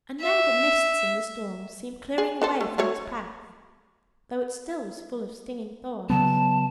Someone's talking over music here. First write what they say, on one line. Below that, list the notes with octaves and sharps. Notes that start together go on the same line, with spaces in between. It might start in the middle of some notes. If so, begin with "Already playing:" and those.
And now the mists and the storms seemed clearing away from his path, though it still was full of stinging thorns.
E5
G#4
D4 A4 C5
A3
F#3 A3 C#5
C#3 F#3 B3 A5